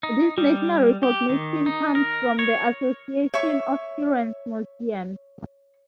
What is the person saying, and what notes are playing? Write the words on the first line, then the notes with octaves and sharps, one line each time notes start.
This national recognition comes from the Association of Children's Museums.
D#4
G3
G4
D#3
D#4
A#4
C#5
C#5 E5 C#6